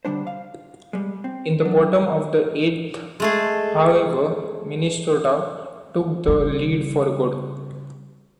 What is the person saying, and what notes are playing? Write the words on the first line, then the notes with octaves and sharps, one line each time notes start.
In the bottom of the eighth, however, Minnesota took the lead for good.
D3 G3 D4 C5
F5
G3 G#3
C4
F#3 D4
G#3 A3 G#4
C#3 G3